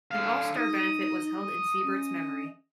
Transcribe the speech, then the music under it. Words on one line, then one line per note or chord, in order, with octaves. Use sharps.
An all-star benefit was held in Siebert's memory.
D3 F5
D#4 D#5
C#4